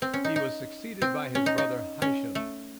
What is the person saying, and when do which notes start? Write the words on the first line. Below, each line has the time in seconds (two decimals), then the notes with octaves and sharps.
He was succeeded by his brother Hisham.
0.02 C4
0.14 C#4
0.25 D#4
0.36 D#4
1.02 C4
1.35 C#4
1.46 D#4
1.58 D#4
2.02 C#4
2.35 A3